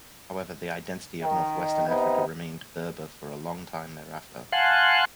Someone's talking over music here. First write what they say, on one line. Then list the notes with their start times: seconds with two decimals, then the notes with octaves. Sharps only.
However, the identity of northwestern Africa remained Berber for a long time thereafter.
1.21 D#3
1.87 C3 B3 D#4
4.52 F5 F#5 G#5 A5 C6 F#6